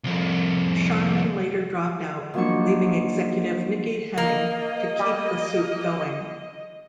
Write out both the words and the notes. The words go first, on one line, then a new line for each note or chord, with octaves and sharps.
Sharman later dropped out, leaving executive Nikki Hemming to keep the suit going.
C2 F2
D#3 F3 F#3 A#3 D4 C#6
A#3 D#5
G3